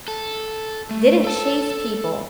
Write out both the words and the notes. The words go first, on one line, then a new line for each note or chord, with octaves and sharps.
didn't chase people
A4
A3
A4 A5